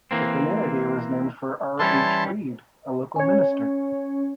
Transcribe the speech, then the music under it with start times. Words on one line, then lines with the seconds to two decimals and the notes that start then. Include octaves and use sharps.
The community was named for R. H. Reid, a local minister.
0.11 E3 A#3 C4
1.79 E3 G3 C#4 E4 A5 C6
3.16 C#4 C#5